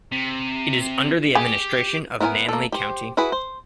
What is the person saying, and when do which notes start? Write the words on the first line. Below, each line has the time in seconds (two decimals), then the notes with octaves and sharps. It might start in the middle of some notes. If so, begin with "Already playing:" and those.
It is under the administration of Nanle County.
0.12 C3
1.35 G4 G#4
2.21 B3 E4 A#4 C#5 G#5
2.49 A#3 A4
2.72 G4 C5
3.17 E4 F#4 G#4 B4
3.32 C5